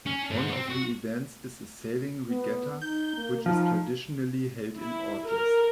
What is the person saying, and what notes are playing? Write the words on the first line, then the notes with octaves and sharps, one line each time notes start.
One of the events is a sailing Regatta, which is traditionally held in August.
C#4
G#2
C4
F#4
B3
D#4 G6
A#3
F3 D#4
E4
A#4